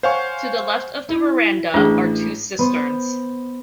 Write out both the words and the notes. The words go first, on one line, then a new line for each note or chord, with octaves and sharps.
To the left of the veranda are two cisterns.
C5 C#5 F5 F#5 G#5 C#6
E4
A1 D4 G#4
B3 C5